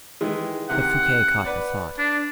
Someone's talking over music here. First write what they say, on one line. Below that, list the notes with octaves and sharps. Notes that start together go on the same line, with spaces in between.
But Fouquet caught her thought.
D#3 E3 G#3
C3 D#3 F#5
B4 D5
D4